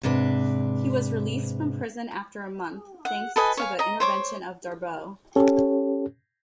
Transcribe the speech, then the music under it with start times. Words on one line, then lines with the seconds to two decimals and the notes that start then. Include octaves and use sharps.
He was released from prison after a month, thanks to the intervention of Darboux.
0.03 G#2 C3 D4 B4
3.05 F#5
3.36 A4 B4 D#5 G#5
3.57 C#5 F5 G#5
3.79 D#5 A#5
4.00 C5 C#5 D6
5.36 C#4 G4 A4 C#5